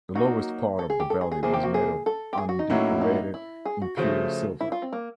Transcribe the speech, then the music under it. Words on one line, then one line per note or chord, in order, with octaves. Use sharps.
The lowest part of the belly was made of undecorated impure silver.
F#3 A#3 D#4 F#4
A4
G#4
G4
A4
G#4
G#4
C3 F3 A#3 G#4
G4
F#4
G#4
A4
G4
G#4
F#4
D#4
A2 F#3 A#3 C#4 E4
D#4
E4
G#4
F#4
C#3 F3 A3 F#4
E4
F4
C4
A#3